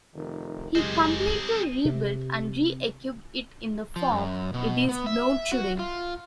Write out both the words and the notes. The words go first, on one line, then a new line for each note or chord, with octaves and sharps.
He completely rebuilt and re-equipped it in the form it is known today.
F1 D#3
F#1 F#2 G#3 C4 G4 G#4
C3
F3
F#2
B2
B3
E5
F#4
F4